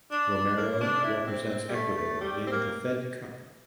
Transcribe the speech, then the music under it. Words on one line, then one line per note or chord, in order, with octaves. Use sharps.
Romero represents Ecuador in the Fed Cup.
D4
D4
A#3
D4
E4
C4
C4
G3
A3
A3
G3
C4
A#3